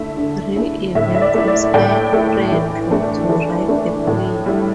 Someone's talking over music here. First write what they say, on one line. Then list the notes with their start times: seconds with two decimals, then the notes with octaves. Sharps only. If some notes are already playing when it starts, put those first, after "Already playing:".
Real events inspired Fredro to write the play.
Already playing: D3 A3 E4 E5
0.17 D3
0.56 A3 E4
0.95 A2 E5
1.15 E5
1.21 D5
1.34 A3 E4
1.47 D5
1.73 A2 D5 G5
2.13 A3 E4
2.52 E3
2.90 A3 D4
3.29 E3
3.68 A3 D4
4.07 A2
4.46 G3 E4